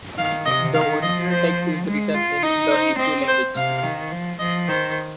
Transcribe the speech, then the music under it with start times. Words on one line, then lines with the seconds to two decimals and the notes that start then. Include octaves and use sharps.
The original text is written in the Hebrew language.
0.18 D#3 F5
0.46 C3 D#5
0.74 D#3 F5
1.02 F3 D#5
1.30 C5
1.87 G#3
2.15 F4
2.42 D#4 D#5
2.71 C5
2.99 C4 D#5
3.27 C5
3.55 C3 F5
3.84 D#3
4.12 F3
4.39 F3 D#5
4.68 D#3 C5